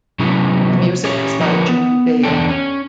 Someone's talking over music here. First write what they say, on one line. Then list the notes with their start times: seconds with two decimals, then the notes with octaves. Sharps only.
The music was by Jim Dale.
0.19 C3 F#3 G#3 B3 C#4 E4
1.05 C#4 G4 C#5
1.39 F3 A#4 B4 C#5
1.69 B3
2.23 E2 B3 D4 A4 G5
2.49 C#4